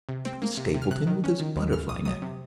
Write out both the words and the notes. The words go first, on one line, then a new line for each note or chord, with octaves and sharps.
It was Stapleton with his butterfly-net.
C3
C4
A#3
C3
C3
F6
C3 F#6
D#3
C#4
D#3
D#2
C#3 F6
F2 D#6
F#3 D#6
C3